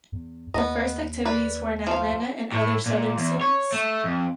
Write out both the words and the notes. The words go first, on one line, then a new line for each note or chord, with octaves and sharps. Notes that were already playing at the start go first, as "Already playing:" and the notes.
The first activities were in Atlanta and other Southern cities.
E2
D#2 B3 D#5
B4 D5
F3 F5
A2
A#2
E2
C#5
A3
F2